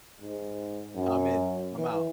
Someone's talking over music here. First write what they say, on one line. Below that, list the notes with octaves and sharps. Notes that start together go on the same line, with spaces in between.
"I'm in. I'm out."
G#2
F#2
E3